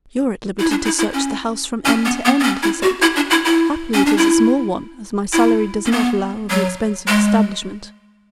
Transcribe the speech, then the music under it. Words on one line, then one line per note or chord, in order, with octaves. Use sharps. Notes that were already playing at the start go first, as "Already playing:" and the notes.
"You're at liberty to search the house from end to end," he said. "Happily, it is a small one, as my salary does not allow of an expensive establishment."
E4
D4
E4
E4
C#4
C#4
B3
B3
B3
C#4
E4
F#4
E4
D4
E4
E4
C#4
D4
E4
E4
C#4
B3
F#3
G#3